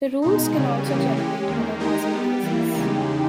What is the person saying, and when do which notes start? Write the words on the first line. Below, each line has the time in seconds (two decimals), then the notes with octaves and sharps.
The rules can also generate other puzzle cases.
0.22 B2 G#3 D#4
0.53 C#3 G3 C#4
0.85 C#3 E3 A#3 C#4 G4
1.17 G#3 C#4 G4
1.48 E2 D#3 A#3
1.80 G#3 D#4 G4 A#4 D#5
2.11 G3 B3 G4
2.43 E3 G3 A#3 E4
2.74 E2 C#3 G#3 D#4 G4